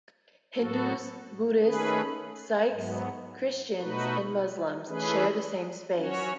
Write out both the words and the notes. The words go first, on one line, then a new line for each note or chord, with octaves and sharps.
Hindus, Buddhists, Sikhs, Christians, and Muslims share the same space.
A2 F#3 B3 F#4 A4
D#3 A3 C#4 G#4 B4
G#2 F#3 B3
B2 A3 D#4 F#4 B4
E3 A3 C#4 G#4 B4
F#3 C#4 F#4 C#5